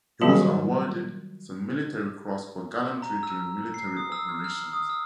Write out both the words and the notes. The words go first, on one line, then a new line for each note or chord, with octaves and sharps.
He was awarded the Military Cross for gallantry during military operations.
D#3 F#3 G3 F#4 A#4 A5
A#5
E6
C7
D#6
E6
F6
F6
D#6
E6